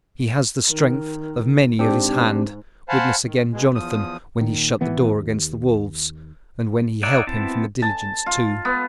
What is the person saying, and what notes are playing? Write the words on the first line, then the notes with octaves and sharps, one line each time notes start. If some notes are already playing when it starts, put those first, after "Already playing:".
He has the strength of many of his hand--witness again Jonathan when he shut the door against the wolfs, and when he help him from the diligence too.
D#3
G#2 C4 D4 G4
C5 F5 F#5 G#5 A5 B5
D#3
B2 G#3
E2 F3 D#6
A#2 D#3
G#1 E3 B3
D#2
D#4 C#5 D5 E5 F#5
B3 C4 E4 A5
A5
F4
B3